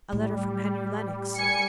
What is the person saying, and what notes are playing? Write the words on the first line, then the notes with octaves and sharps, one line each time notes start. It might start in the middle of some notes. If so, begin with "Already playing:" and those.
'A letter from Henry Lennox.
A2 G3
G#5 C#7